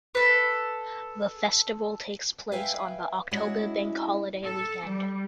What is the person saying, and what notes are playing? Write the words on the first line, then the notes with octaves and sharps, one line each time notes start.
The festival takes place on the October Bank Holiday weekend.
A4 B4
B4 E5 F5 G5 G#5
G#3 C#4 D4 E4 F#4
A4
G3